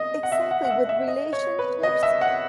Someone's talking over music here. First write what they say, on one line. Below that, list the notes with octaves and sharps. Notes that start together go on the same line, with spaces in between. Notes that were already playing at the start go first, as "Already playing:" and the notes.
Exactly with relationships.
Already playing: D#5
F#5
E5
F#5
F#5
E5
E5
D#5
C#5
B4
D#5
E5
F#5